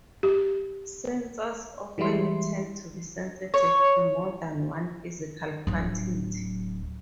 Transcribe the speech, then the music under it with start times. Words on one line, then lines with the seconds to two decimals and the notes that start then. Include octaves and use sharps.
Sensors often tend to be sensitive to more than one physical quantity.
0.23 G4
1.98 E3 G3 G#3 E4 C6
3.54 C#5
5.67 D1 F#3